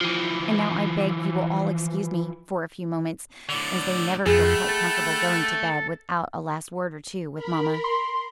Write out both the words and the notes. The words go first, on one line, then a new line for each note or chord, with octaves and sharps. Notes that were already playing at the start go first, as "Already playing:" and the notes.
"And now I beg you will all excuse me for a few moments, as they never feel quite comfortable going to bed without a last word or two with mamma."
E3 F3
A2 D3 D5
F2 A3 G#4 F#5 G5 B5
A4
A#4 B5
C6